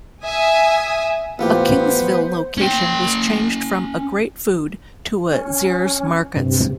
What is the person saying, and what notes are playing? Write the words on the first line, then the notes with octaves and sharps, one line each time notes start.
A Kingsville location was changed from a Greatfood to a Zehrs Markets.
E5 G#5 D#6
A1 B3 F4 G4 C5
C#4 G5
C#4
G2 C3